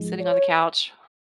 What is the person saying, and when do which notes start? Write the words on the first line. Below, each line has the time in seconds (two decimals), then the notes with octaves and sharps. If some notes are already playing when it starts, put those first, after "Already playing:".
sitting on the couch,
Already playing: G#2 F3 G#3
0.20 C#5